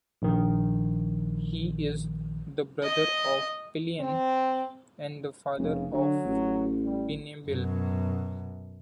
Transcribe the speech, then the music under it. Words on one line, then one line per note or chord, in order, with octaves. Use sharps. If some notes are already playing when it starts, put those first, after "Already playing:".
He is the brother of Pallian and the father of Binbeal.
A#1 D#3
D#5
C4
F1 C#3
D3 F#3
A1
G3
F#2 B2